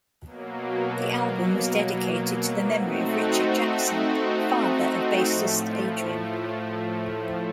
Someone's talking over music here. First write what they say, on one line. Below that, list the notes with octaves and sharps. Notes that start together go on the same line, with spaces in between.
The album was dedicated to the memory of Richard Jackson, father of bassist Adrian.
B2 F#3 A#3
A3 C4 D#4 F#4
A2 F3 A3